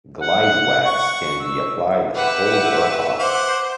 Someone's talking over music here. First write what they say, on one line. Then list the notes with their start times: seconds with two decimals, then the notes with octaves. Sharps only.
Glide wax can be applied cold or hot.
0.20 F#5
0.86 C#6
1.40 E6
2.16 G4 B4 E5 F#5
3.19 C5 F#5 D6